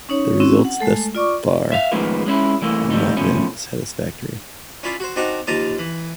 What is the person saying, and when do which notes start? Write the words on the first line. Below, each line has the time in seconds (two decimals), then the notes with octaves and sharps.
The results thus far have not been satisfactory.
0.09 C#4 D#4 C#5
0.40 C4 C#4 E4 F#4
0.65 F#5
0.80 G#3 A3 A4
1.15 F4 D5 C#6 D6
1.72 E5 F5
1.92 A2 D#3 F3 G#3 A#3 B3
2.26 G#3 C#4 E4
2.61 C2 E3 A3 A#3
2.90 F2 G3 A3 D#4
3.17 F#2 B2 F3 A3 C#4
4.83 C#4 E4 F4 D5 B5 C6
5.00 F#4 C5
5.16 C4 D4 D#4 F#4 A#5
5.47 D#2 F3 A#3 A5 A#5 D#6
5.79 E3